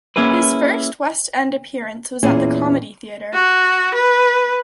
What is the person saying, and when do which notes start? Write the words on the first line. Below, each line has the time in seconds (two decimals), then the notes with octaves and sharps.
His first West End appearance was at the Comedy Theatre.
0.16 A#3 C#4 E4 G#4 B4
2.23 E2 A#2 C#4 E4 G#4
3.34 F#4
3.95 B4